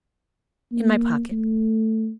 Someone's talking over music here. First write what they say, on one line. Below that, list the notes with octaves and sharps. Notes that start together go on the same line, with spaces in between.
"In my pocket."
A#3
A3